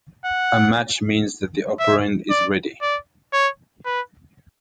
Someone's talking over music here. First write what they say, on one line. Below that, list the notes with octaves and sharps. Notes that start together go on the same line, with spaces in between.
A match means that the operand is ready.
F#5
E5
D5
D5
C#5
B4